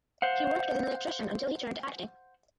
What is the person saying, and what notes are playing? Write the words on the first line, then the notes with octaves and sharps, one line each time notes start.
He worked as an electrician until he turned to acting.
C5 F5 F#5